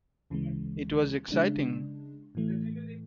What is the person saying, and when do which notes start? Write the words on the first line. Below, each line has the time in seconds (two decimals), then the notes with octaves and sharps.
It was exciting.
0.30 D2 C#3 E3 G#3
1.32 C#3 G#3 D4
2.35 A2 E3 A3